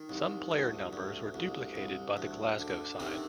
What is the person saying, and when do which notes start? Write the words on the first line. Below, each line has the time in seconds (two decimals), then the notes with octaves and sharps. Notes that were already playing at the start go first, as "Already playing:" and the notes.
Some player numbers were duplicated by the Glasgow side.
Already playing: D#3
0.09 C2
0.52 D2
0.93 D2
1.34 C2
1.75 C2
2.17 D2
2.59 D3
3.00 C3 D#3 C4